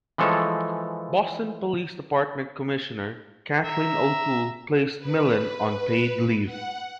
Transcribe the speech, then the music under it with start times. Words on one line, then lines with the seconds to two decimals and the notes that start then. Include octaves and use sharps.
Boston Police Department Commissioner Kathleen O'Toole placed Milien on paid leave.
0.18 E3 F3 G#3 A4 C#5
3.65 E5 A#5
4.99 B4
6.46 F#5